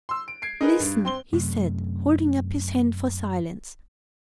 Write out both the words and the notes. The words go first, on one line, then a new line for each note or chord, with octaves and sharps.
"Listen!" he said, holding up his hand for silence.
C6 E6
D7
G#6 C7 D7
D#4 G#4 A#4 B4
G2
C4 C6 G7
F#2 C3 A3